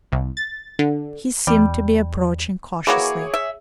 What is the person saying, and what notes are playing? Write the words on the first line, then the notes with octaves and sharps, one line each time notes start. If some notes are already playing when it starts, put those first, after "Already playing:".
He seemed to be approaching cautiously.
C2
A6
D3
E2 G3
E3 A#3 F#4 G#4 C#5 C#6 D6 G#6
E5